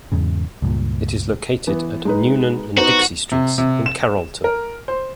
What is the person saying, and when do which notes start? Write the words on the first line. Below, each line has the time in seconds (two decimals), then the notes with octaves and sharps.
It is located at Newnan and Dixie Streets in Carrollton.
0.12 E2 G#2 C#3
0.62 C#2 G2 A#2
1.67 E3 B3
2.05 G#3 D#4 B4
2.77 B3 D#4 F#4 C5
3.32 C3
3.58 C3
3.86 E7
4.44 A#4
4.88 C5